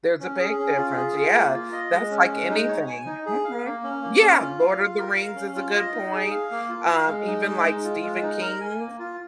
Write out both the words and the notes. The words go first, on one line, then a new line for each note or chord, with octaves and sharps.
There's a big difference, yeah, that's like anything, mhm Yeah, Lord of the Rings is a good point, um, even like Stephen King's,
C#4
G#4
C#4
F4
G#4
F4
A#3
F4
D#5
G#3
C#4
G#3
D#4
C#5
G#5
D#4
G#4
F5
A#3
C#4
A#3
C#4
F4
F5
F4
A#4
F5
C#4
F4
D#5
D#4
G#4
F5
A#3
F4
F5
G#3
D#4
G#3
G#3
F4
G#3
D#4
A#4
G#5
A#3
F4